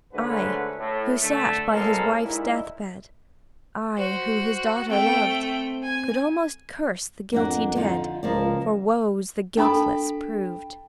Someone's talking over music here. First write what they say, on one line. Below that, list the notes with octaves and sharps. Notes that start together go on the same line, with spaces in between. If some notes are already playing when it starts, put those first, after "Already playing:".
I, who sat by his wife's death-bed, I, who his daughter loved, Could almost curse the guilty dead, For woes the guiltless proved.
G#2 D3 A3 C#4 F#4 B4
A2
D3 A3
A1 B2 G#3 A#3 A4
A#2 G#3 D#4 E4
F#4 C5
A3 C4 G5
G#5
F2 A#3 D4 F#5
D3 D#4 F4
C#2 F3 A#3 D5
D4 A4 G5 A5 B5